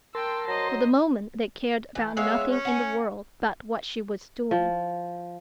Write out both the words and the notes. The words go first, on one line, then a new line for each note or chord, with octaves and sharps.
For the moment they cared about nothing in the world but what she was doing.
A#4 G5 A5 C6 E6
F#3 C5 D#5 A#5
E3
G#3 B3 C#5 E5 F5
C#4
F#5 G#5
F3